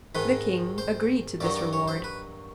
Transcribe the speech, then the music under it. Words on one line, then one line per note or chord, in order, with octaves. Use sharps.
The king agreed to this reward.
G#2 D#3 G#3 B4
C5
G2 D#3 F#3 D5
D5
C#5
C5
B4